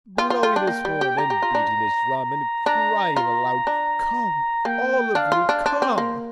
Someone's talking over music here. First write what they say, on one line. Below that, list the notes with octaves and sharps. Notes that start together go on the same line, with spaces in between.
Blowing his horn, and beating his drum, And crying aloud, "Come all of you, come!"
F4 G5
F4
F4
D4
A#3
G3
G4
G4 A#5
G4
F4
D4
A#5
D4 A#5
F4 A#5
D4
A#3 G5
D4 F5
F4
D4
D4 C5
C4
A#3